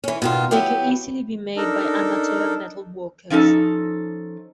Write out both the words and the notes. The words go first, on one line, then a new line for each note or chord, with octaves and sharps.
They could easily be made by amateur metalworkers.
E3 C#4
B2 D#3 F4
F#3 B3 E4 G4
D4 D#4 A4 A#4
F3 C#4 D#4 A4